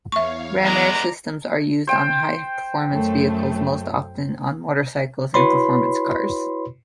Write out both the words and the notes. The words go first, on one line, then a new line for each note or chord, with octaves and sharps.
Ram-air systems are used on high-performance vehicles, most often on motorcycles and performance cars.
E2 C#5 E5 F5 C#6
G#3 B3 D5 A#5
C5 G5
F#2 A3
E4 F#4 B4 C#5 B5 C6